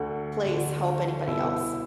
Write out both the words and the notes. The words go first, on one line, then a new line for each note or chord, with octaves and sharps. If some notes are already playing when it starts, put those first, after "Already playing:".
place, help anybody else.
Already playing: D2 D3 F#4
D2 D3
C2 B2 E4